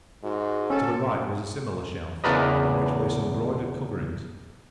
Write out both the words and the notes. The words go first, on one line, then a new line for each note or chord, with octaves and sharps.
To the right was a similar shelf, on which lay some broidered coverings.
G#2 F#4
C#4 A4 G#5
E2 C#3 D4 A#4 B4 D#5